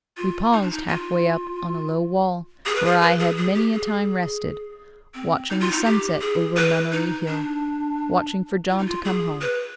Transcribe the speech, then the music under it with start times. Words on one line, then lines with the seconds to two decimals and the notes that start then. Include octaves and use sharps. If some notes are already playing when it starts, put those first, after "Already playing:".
We paused half-way up on a low wall, where I had many a time rested, watching the sunset over Nunneley Hill--watching for John to come home.
0.17 F4
0.53 D#4
0.62 D4
0.70 D#4
0.88 F4
2.66 G#4
2.75 B4
2.85 G#4
3.01 B4
3.19 G#4
3.37 G#4
3.54 G4
3.72 G#4
5.14 C4
5.50 D#4
5.60 F4
5.71 D#4
5.85 G4
6.21 G#4
6.56 B4
6.92 D#4
7.27 D4
8.69 F4
8.78 D#4
8.87 F4
9.05 G#4
9.41 B4